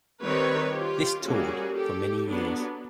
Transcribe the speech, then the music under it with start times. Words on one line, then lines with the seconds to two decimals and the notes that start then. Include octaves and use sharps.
This toured for many years.
0.23 D#3 G3 C4 B4 C#5
0.74 F4 G4
1.25 G3 A#3 C#4 F#4 G#4
1.76 G4 A4
2.27 F#3 B3 D4